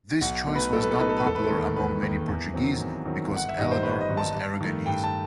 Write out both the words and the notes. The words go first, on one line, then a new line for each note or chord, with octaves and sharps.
This choice was not popular among many Portuguese, because Eleanor was Aragonese.
B1 F#5
B2 A3 D#4
B4
B1 A4
B4
A4
B2 A3 D#4 B4
A4
B4
E1 A4
B4
A4
D#2 D#3
E1 B4
D#2 D#3
E2
D#3 F#3 C4
E2
D#3 F#3 C4
G1
F#5
E5
G2 D#3 G3 D#4 D#5
C5
G1 B4
D#5
G2 D#3 G3 D#4
A5
G2
D#3 A3
G2 G5
A5